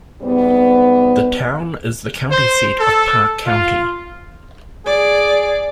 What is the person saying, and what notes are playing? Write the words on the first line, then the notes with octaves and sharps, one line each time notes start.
The town is the county seat of Parke County.
G#2 C3 G3 B3
C5
A4
F4
G#4 D5